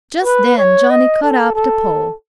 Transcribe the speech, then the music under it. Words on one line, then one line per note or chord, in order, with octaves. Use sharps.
Just then Johnnie caught up the pole.
B4
C#5
D#5
A4
A4